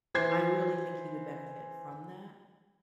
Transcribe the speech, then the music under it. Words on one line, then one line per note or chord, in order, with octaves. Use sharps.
I really think he would benefit from that.
E3 C5 G#6 C7